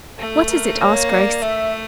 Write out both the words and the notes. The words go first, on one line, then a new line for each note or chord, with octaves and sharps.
"What is it?" asked Grace.
A3 A4
A#4
A#3 C#5
D5
A3 E5